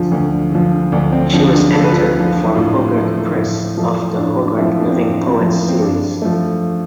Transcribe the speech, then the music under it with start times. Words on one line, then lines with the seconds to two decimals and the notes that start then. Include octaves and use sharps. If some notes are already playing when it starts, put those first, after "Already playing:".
She was editor for Hogarth Press of the Hogarth Living Poets series.
Already playing: D2 D3 F3 F4
0.11 D2
0.52 D3 F3
0.92 D2 D4
1.12 C4
1.33 D3 F3 C4
1.54 D4
1.74 D2 A4
1.84 B4
1.92 F4 A4
2.15 D3 F3
2.44 E4
2.55 A2 D4 F4
2.96 F3 A3
3.37 A2
3.77 F3 A3
4.18 A2 D4
4.39 D4
4.58 F3 A3 C4 E4
4.80 D4
4.90 C4
5.00 A2 D4
5.27 C4
5.40 F3 A3
5.68 C4
5.81 G2 D4
6.22 F3 A3